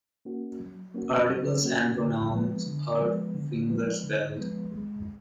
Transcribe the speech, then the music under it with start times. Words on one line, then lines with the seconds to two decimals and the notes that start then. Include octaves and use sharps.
Articles and pronouns are fingerspelled.
0.25 A#3 C#4 F#4
0.59 F#3
0.94 A#3 C#4 F#4
1.29 F#3
1.62 A#3 C#4 F#4
1.98 D3
2.31 F3 G#3 B3
2.66 D3
3.00 F3 G#3 B3
3.35 D3
3.69 F3 G#3 B3
4.03 D3
4.37 F3 G#3 B3
4.71 G#3